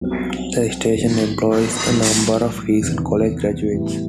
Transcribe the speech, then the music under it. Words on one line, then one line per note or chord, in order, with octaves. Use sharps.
The station employs a number of recent college graduates.
B1 B2 G3 C4
A#1 G#2 D#3 F#3 B3
B1 A2 E3 G3
E2 C3 D#3
A2 E3 G3 B3